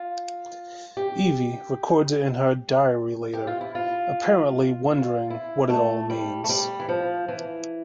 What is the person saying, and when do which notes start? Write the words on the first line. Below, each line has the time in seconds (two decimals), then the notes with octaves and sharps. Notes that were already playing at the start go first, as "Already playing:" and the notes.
Evie records it in her diary later, apparently wondering what it all means.
Already playing: F4
0.97 G4
3.34 G4
3.47 F4
3.61 E4
3.75 F4
4.91 F4
5.30 E4
5.70 A3
6.10 G3
6.44 A3
6.49 G3
6.80 E3
6.89 F3
7.28 E3